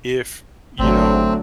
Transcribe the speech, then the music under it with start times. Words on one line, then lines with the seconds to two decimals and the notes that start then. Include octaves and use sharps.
if, you know,
0.79 G#1 D3 F#3 A3 C4